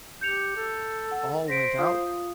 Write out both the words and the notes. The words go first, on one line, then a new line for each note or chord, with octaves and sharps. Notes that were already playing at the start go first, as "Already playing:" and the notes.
All went out.
G4 G6 C#7 F7
A4
F#5
C5 A#6 B6 D7
F4 F5 D#6